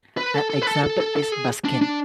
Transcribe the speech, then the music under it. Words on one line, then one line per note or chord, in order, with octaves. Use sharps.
An example is buskin.
B4
A4
A4
B4
A4
A4
A4
A4
G#4
D4
D4